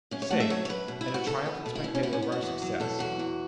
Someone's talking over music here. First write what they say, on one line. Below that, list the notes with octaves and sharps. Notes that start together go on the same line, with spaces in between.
'Safe, and a triumphant spectator of our success.'
F#2 C#4
C#5
A3 F#5
E5
F#3 C#5
C#5
F#2 B4
B2
E4
B2
F#4
B3 A4
B3
B2
E4
B2 C#4
C#4
B3 E4
C#4
B3
F#4
E2
F#3
B2 A4
E2 F#4
E2